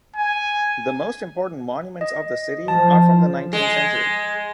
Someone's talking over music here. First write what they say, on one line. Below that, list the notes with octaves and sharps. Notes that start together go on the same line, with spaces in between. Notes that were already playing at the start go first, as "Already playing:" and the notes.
The most important monuments of the city are from the nineteenth century.
G#5
D#5
F3 A5
G#3